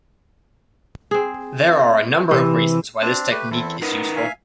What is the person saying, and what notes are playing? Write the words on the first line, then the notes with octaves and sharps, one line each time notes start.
There are a number of reasons why this technique is useful.
C4 G#4
C3 E3
C4 D4
A3 G4 B4
E2 C4 E4 A4
B3 D#4 A#4 B4
E5 F5 G#5